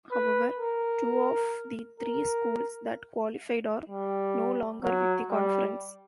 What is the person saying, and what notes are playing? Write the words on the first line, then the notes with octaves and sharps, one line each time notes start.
However, two of the three schools that qualified are no longer with the conference.
B4
A#4
A#4
G3
F#3
G3